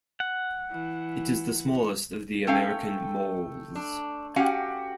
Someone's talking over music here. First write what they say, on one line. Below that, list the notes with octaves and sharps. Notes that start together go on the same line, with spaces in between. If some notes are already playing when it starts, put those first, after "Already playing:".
It is the smallest of the American moles.
F#5
E3
A3 C4 C#4 F5 G5
D4
C#4 F#4 G4 F5 F#5